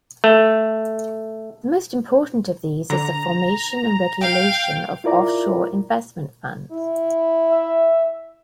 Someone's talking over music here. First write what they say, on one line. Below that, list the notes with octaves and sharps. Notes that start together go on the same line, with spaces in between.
The most important of these is the formation and regulation of offshore investment funds.
A3
D3 A#5
F5 G5
E4 F4 A#4 D5 A#5
E4
E5